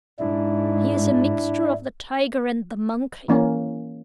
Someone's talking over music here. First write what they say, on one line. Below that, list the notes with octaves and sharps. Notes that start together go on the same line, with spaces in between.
He is a mixture of the tiger and the monkey.
G#2 D4 E4
E3 A#3 C#4